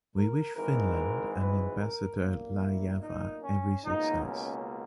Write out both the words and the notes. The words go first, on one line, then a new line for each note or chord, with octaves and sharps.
We wish Finland and ambassador Laajava every success.
A#4
G#1 G#2 E3 G#3 A#4
B4
A#4
B1 A#2 A#3
E4
D#4
C#4
C#2 B2 A#3 D#4
C#4